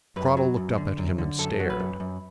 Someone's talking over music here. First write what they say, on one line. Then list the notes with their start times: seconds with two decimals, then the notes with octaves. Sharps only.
Cradell looked up at him and stared.
0.16 F#2 B4
0.37 F#3
0.57 F#2
0.77 D3
0.98 F#2
1.18 D3
1.39 F#2 A4
1.60 F#3
1.70 B4
1.80 F#2
2.00 F#2